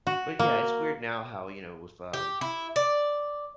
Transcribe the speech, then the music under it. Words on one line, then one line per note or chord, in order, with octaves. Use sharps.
but, yeah, it's weird now how, you know, with, um,
F#4
A#3
G4
E4
D5